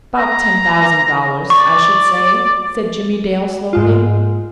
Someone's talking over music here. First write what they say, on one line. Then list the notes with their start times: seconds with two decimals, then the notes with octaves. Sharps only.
"About ten thousand dollars, I should say," said Jimmie Dale slowly.
0.18 A#5
1.50 D5 C#6
3.73 G#2 G#3 F4